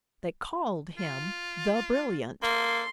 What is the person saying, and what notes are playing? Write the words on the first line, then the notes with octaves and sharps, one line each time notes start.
They called him THE BRILLIANT.
F4
A#3 A4 C6